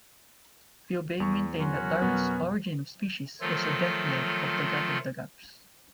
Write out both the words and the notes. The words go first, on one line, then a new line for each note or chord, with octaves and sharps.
Bube maintained that Darwin's "Origin of Species" was the "death knell" of the God-of-the-gaps.
E2 C#6
F#3 C#4 F#4 A#4 C6 C#7
F2 B2 B3
D#3 F3 F#3 A3 F4 A4